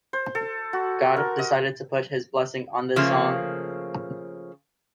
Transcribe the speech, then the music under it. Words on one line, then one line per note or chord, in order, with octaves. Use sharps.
God decided to put his blessing on this song.
C5
A4
F#4
A#4
D#5
C#3 F3 A3 A#3